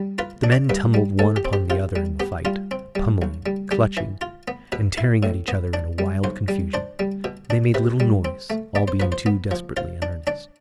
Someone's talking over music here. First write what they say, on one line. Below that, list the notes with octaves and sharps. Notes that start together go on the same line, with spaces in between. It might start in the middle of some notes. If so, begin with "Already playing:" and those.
The men tumbled one upon the other in the fight, pummelling, clutching, and tearing at each other in a wild confusion. They made little noise, all being too desperately in earnest.
Already playing: G3
F4 B4
D4
D5
G2 B4
G3
A2 A4
G4
C4
G4
C3 F4
G3
B3 G4
G3 F4
C4
G3
B1
G3
G3 G4
E3
F4
B3
B2 B4
E4
A2
B3
D4
G3
B1 C5
G3
D4 C5
G3
B2
D4
C3 B4
G3
C4
A3
B3 D5
C5
F3 B4
C5
B3
F3
F4 C5
D4
D4 D5